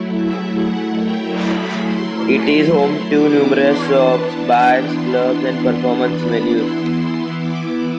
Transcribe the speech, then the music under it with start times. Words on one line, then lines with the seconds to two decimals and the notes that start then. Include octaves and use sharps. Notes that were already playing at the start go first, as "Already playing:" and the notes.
It is home to numerous shops, bars, clubs, and performance venues.
Already playing: F#3 A3 E4
0.13 E5
0.55 F#5
0.98 G5
1.40 B5
1.83 C6
3.11 E3 B3 D4 D6
3.53 C6
3.97 A5
4.26 A5
4.54 G5
4.83 C6
5.26 C6
5.68 C6
6.10 B5
6.53 E3 B3 E4 C6
7.39 D6